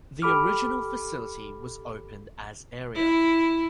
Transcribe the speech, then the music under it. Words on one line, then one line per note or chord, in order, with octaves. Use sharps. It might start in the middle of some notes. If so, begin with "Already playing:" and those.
The original facility was opened as area.
G4 A4 B5 D6 F6
E4